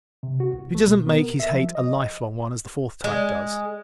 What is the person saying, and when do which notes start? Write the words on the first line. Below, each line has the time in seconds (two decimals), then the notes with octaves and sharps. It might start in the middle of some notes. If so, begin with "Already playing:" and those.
But he does not make his hate a life-long one, as the fourth type does.
0.23 C3
0.40 F#4
0.53 C2
0.75 A3
0.87 B2
1.06 B3
1.20 A#4
1.40 E5
1.54 F3
1.75 D#5
3.04 G#3